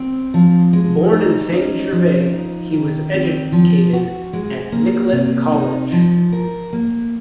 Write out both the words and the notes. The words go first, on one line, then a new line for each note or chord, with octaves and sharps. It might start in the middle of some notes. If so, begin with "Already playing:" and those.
Born in Saint Gervais, he was educated at Nicolet College.
Already playing: C4
F3
G#3
D#4
C#4
F3
D#4
D#3
C4
F3
F#4
G#3
A#3
C3
D#4
F3
A#4
A#3